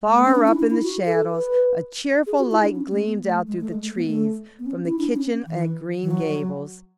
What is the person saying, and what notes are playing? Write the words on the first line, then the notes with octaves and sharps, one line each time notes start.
Far up in the shadows a cheerful light gleamed out through the trees from the kitchen at Green Gables.
A3
B3
C#4
D4
E4
D4
E4
F#4
A4
B4
G#4
F#4
E4
D4
C#4
A3
B3
A3
G#3
A3
G#3
A3
B3
A3
B3
C#4
E4
D4
C#4
E3
E3
F#3